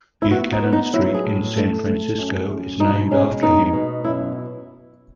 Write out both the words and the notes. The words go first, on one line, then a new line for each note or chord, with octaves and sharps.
Buchanan Street, in San Francisco, is named after him.
E4
B3 F#4
D#4
B3
D#4
F#3 E4
G#4
A2
A3
A3
F#2
F#2
B2 D#4
G#3 C#4
B3 D#4
B2
F#2 E4